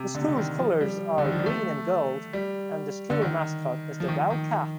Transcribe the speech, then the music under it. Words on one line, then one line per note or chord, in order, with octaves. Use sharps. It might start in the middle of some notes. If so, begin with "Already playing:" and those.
The school's colors are green and gold and the school mascot is the Wildcat.
Already playing: C3
D3
C3
D3
D#3
F3
G3
D3
D#3
F3
G3
A3
G3
D3
D#3
F3
D#3
D#3